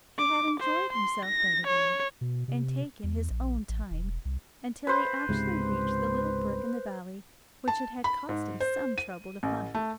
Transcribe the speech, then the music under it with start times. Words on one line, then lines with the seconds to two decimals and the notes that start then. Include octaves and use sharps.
He had enjoyed himself by the way, and taken his own time, until he actually reached the little brook in the valley which it had cost him some trouble to find.
0.18 D6
0.60 C5
0.93 C6
1.26 A#6
1.67 C#5
2.21 B2
2.48 C3
3.04 E2
3.30 A#1
3.69 A1
3.91 E1
4.25 C2
4.87 B4 C5
5.29 C#2 G#2 C3
7.68 A5
8.04 B5
8.29 G#2
8.60 C5
8.98 D#7
9.43 A1
9.75 A3